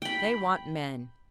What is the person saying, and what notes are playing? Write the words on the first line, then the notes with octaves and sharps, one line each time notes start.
They want men.
G5 B5